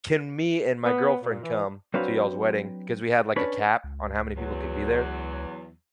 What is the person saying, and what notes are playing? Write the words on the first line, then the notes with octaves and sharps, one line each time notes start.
can me and my girlfriend come to y'all's wedding?" because we had, like, a cap on how many people could be there,
B3
A#2
E3
F#3 C4 D4 F#4 B4 F5
C#4 D4 B4 C#5
C#2
E2 F#3